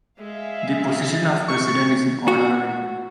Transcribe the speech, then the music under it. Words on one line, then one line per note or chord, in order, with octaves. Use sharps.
The position of President is an honorary one.
G#3 G#4 E5 F5
C#6
F#4